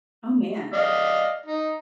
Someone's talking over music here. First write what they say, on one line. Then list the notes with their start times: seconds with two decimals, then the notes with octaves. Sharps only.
Oh man,
0.73 D5 D#5 F5
1.46 D#4